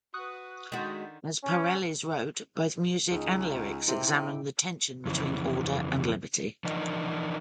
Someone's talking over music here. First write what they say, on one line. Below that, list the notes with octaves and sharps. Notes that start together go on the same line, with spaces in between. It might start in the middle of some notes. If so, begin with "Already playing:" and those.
As Pareles wrote, "Both music and lyrics examine the tension between order and liberty".
F#4 B4 C#6 D#6 F#6
D3 D#3 G#3 F#4 G6 A6 B6
C#4
C#2 D#4 G#4
C3 E4 G4
C3
F2 C#3 E3
E3 F3 D4 D#4 A#4 D#5